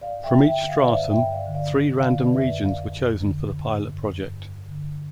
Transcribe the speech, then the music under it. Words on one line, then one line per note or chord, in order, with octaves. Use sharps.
From each stratum, three random regions were chosen for the pilot project.
G2 D5 F5
E5 G5
D3
E5 G5
D3
F5
E5
D5 F5
G2 C5 E5
E5 G5
G2
D5 F5
D3
D5 F5
D3
D5 F5
D3
B4 D5
F2 E5
B4 D5
F2 D5 F5
F2
D3
G2
G2
G2
G2
D3